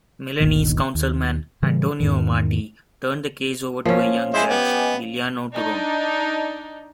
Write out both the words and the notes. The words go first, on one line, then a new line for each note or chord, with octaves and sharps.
Milanese Councilman Antonio Amati turned the case over to a young judge, Giuliano Turone.
G1 D2 A#2 D#3
D#2
A2 C#3 E3 G3
E2 G#2 D#3
F3 A#3 C#4
G#3 E4 C5 D#5 G#5
B3 G4
D4 D#4